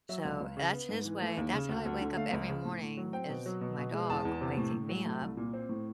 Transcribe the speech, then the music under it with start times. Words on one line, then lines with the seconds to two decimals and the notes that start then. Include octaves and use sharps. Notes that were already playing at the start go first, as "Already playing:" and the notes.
So that's his way That's how I wake up every morning is my dog waking me up.
0.09 F#3 E5
0.25 C#2
0.41 C#2
0.57 C#3
0.73 B3
0.89 G#2
1.05 E3
1.21 A3
1.37 D#2
1.53 C#3
1.69 D2
1.85 D2
2.01 D3
2.17 A3 F5
2.33 C#2
2.49 C#3
2.65 A2
2.82 A2
2.97 F#3
3.13 C4 G5
3.29 B2
3.46 F#3
3.61 B2
3.77 B2
3.93 G#3
4.09 E2 A5
4.25 E2
4.41 C3
4.57 A2
4.74 A2
4.89 F#3
5.05 A3
5.22 C2
5.37 A#2
5.53 C4
5.69 A2